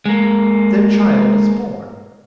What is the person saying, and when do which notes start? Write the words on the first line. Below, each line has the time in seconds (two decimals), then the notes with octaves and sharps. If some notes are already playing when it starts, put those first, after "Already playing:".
Their child is born.
0.06 G#3 A#3